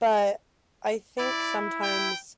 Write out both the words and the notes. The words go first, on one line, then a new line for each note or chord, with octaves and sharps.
but, I think sometimes
E4 D5
G5